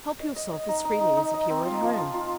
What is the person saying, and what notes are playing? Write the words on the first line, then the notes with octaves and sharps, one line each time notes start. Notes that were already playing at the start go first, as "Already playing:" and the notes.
Help yourself as freely as if you were at home!
D#5
D#5
D#5
D#4
D#4
D#4
D#4
D#5
C4
F4
F3
F4
F4